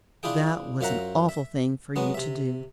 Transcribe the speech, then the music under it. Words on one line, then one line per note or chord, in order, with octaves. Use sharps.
That was an awful thing for you to do.
D4 E4 F4 G#4 G5
F#2 F4 C5 E5 F#5 A#5
E5
F#3 G#3 B3
C3 E5